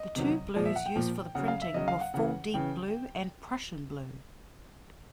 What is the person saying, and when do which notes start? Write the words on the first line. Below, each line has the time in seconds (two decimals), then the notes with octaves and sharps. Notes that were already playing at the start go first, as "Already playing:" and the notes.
The two blues used for the printing were full deep blue and prussian blue.
Already playing: D#5
0.16 C3 D#3 F#3
0.56 A#2 F3 D5
0.66 E5
0.76 F#5
0.86 G5
0.96 A#2 F3
1.35 C#3 F#3 F#5
1.48 F5
1.62 E5
1.74 C#3 F#3 D#5
1.88 F5
2.01 F#5
2.14 C#3 E3 F#5
2.54 C#3 E3 G5